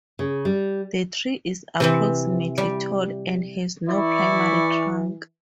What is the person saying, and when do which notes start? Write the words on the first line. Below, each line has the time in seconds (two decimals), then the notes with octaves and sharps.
The tree is approximately tall and has no primary trunk.
0.19 C#3
0.45 G3
1.80 C3 E3 C4
2.58 G3
3.88 E3 E4 D5 B5 C#6